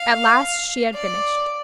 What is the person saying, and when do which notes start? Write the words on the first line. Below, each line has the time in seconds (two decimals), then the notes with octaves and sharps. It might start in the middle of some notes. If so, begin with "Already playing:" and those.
At last she had finished.
Already playing: F5
0.94 D5